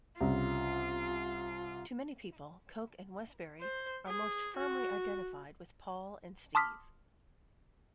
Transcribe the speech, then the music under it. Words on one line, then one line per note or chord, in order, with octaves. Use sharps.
To many people, Coke and Westbury are most firmly identified with Paul and Steve.
C2 C#3 F4
C5
G#4
F#4
A5 C6 D6 D#6 F6 B6